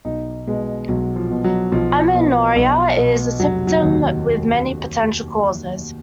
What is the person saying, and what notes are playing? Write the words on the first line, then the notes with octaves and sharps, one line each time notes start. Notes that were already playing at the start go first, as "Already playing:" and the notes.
Amenorrhoea is a symptom with many potential causes.
B1 D#4
B2 G#3
B1 F#3
F3
B2
F#3
B1 F3
B2
B1
B2
F1 F#3
F#3
D#2 D#3
F#3